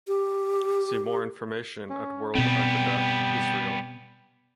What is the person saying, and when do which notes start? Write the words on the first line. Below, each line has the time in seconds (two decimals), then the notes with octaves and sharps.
See more information at World Agudath Israel.
0.08 G4
1.90 C#4
2.35 B2 G3 B3 C4 G5